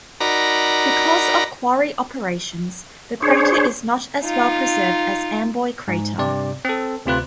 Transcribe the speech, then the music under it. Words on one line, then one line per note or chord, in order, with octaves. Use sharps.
Because of quarry operations, the crater is not as well preserved as Amboy Crater.
D#4 F#4 A#4 D5 A#5 B5
D4 G#4 C5 C#5
D#4 F4
G#2
G2 C3 D5
C4 A4
D2 C3 C4 F4 B4 F#6